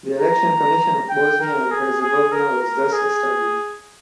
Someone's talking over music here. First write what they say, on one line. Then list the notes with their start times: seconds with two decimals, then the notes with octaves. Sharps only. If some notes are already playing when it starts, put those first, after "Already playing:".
The Election Commission of Bosnia and Herzegovina was thus established.
0.20 A#5
1.10 G5
1.41 A#4
1.71 G#4
2.01 G#4
2.32 A#4
2.62 A#4
2.92 G#4